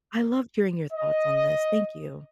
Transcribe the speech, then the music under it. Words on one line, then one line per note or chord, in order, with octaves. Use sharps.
I loved hearing your thoughts on this. Thank you.
D#5